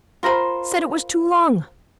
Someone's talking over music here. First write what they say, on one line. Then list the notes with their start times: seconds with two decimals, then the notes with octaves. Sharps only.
Said it was too long!
0.23 F4 A#4 C5 B5